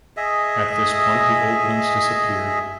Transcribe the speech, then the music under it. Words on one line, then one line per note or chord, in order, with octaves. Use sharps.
At this point, the Old Ones disappeared.
G#4 D#5 E5